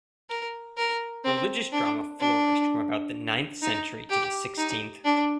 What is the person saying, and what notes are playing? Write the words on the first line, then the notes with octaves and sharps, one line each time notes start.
Religious drama flourished from about the ninth century to the sixteenth.
A#4
A#4
C4
D4
D4
D#4
G4
D#4
D4